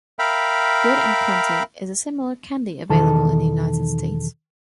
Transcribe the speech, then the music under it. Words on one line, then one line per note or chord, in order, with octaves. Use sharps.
Good and Plenty is a similar candy available in the United States.
A#4 E5 F5 G5 B5
B1 E2 D#3 A4 A5